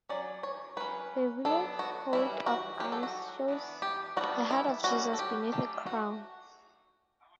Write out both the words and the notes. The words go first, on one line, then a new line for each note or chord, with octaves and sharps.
The village's coat of arms shows a heart of Jesus beneath a crown.
F#3 C#4 D5
C#5
F#3 C#4 B4
F#3 B3 D4 A4
F#4
E3 G3 C#4 E4
F#4
F#3 C#4 G4
A4
F#4
E3 B3 D4
G4
G3 B3 D4 F#4
E4
G3 C#4 F#4
A4
G4
F#3 A3 C#4 G4
F#4